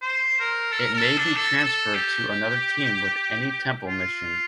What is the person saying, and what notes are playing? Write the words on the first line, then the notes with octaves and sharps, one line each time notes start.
It may be transferred to another team with any temple mission.
C5
A#4
A4
A#4
A#4
A4
D4
A4
A4
G4
F4